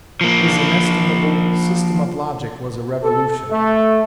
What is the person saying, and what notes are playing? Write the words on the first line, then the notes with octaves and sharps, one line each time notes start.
His inestimable "System of Logic" was a revolution.
F3 A#3
A4
A3